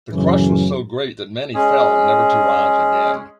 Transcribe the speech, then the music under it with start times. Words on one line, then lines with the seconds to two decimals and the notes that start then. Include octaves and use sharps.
The crush was so great that many fell never to rise again.
0.11 F#2 A2 C#3 E3 C#4
1.55 G#3 C#4 G#4